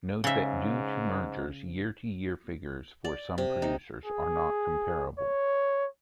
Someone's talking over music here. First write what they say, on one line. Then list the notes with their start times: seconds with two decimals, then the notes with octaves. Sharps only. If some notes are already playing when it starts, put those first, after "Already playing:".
Note that due to mergers, year-to-year figures for some producers are not comparable.
0.24 G#2 C#3 E5
3.05 D5
3.38 C3
3.62 D#4
4.05 G#4
5.18 C#5